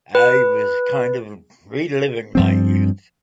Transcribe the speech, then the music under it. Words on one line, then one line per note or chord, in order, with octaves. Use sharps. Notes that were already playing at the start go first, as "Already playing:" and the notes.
I was kind of reliving my youth.
B4
G2 F3 C4